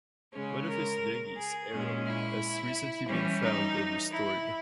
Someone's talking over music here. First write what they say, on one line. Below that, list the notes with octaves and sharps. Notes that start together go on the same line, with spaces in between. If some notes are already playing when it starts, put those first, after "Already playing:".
One of his dinghies, "Aero", has recently been found and restored.
C#3 G#3 C#4
A#4
G#4
A#2 G#3 C#4
E4
E3 G3 C#4
D#4
E4